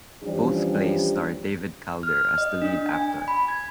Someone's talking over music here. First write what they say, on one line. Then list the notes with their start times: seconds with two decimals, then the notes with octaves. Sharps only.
Both plays star David Calder as the lead actor.
0.22 E3 F3 G3 C#4 D4 G4
2.03 F6
2.38 D#5
2.62 D4
2.94 G#5
3.28 B5
3.48 G#6